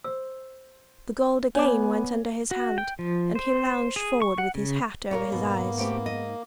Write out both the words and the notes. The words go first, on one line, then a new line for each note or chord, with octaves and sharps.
The gold again went under his hand, and he lounged forward with his hat over his eyes.
C5 E6
B3 C#5 D5 G#5 D6
F#4
G5
F3
C5
G#4
C#6
F#5
C#3
A#2 A#3 A#4 B4 C#5
G#2 B2 B3
A3 C4 G4
D#5